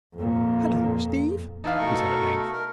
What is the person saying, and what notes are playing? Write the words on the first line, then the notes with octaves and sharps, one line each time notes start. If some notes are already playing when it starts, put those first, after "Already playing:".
"Hello, Steve," he said at length.
F2 A#2
E3 D#4 E4 F5 A5
B2 A3 A4 A#4 C#6
A#4